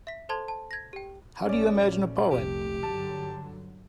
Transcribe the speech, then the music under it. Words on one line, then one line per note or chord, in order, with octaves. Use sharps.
How do you imagine a poet?
E5 B6
A4 C5 A5 C6 G#6
A5
G#6 A#6
G4 G5
A#1 G3 A3 C#4 D5
F1 C2 A3 G4
G2 D3 F#3 A5